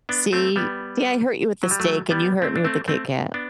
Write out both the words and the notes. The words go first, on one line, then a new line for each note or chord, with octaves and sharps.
See see, I hurt you with the steak and you hurt me with the KitKat.
B3 D4
A3 C4
G3 B3
F#3
G3
F#3 A3
G3 B3
A3 C4
D4
A3 C4
A3 C4
B3 D4